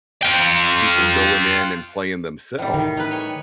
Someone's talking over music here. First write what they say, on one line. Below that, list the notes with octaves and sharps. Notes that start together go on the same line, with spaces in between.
people going in and playing themselves,
F4 G5
A2 G3
D#3
D#4 B4
C#5 G#5